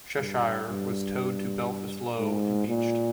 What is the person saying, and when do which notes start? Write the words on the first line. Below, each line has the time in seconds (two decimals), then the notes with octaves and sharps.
"Cheshire" was towed to Belfast Lough and beached.
0.18 G2
0.67 G2
2.18 G#2
2.68 A#2